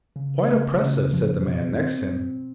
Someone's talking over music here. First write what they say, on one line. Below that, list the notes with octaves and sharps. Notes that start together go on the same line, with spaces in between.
"Quite oppressive," said the man next him.
C#3
A3
C#3
F3
B2
C4